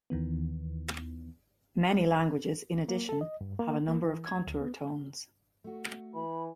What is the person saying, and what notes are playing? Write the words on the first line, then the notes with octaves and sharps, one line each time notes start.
Many languages in addition have a number of contour tones.
D#2 D#3 E3 B3
A#3
A4
D#5
G2
A#3
A#3
E3
G#6
D2
B3
A3 F#4
E3 B5